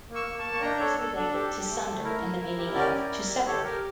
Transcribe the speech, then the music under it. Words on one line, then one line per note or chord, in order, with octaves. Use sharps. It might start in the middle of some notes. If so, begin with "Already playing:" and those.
The word is related to "to sunder" in the meaning of "to separate".
A#3
C#6 E6
A#3
A5 C#6
A#3
C#6
D4 G5 A#5
A4 C#5
A4
D4 A4
G4 A4
G4
A3
A3
E4 A#4
E4
E4
G4
C#4 A#4 D5
E4
E4
G4
G4 A4 C#5
G4 A#4